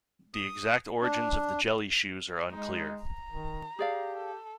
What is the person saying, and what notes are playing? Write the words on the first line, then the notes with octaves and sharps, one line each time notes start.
The exact origins of the jelly shoes are unclear.
D#6
D4
G#3 D#4
A#5
D#3
G4 G#4 D5 F5
A4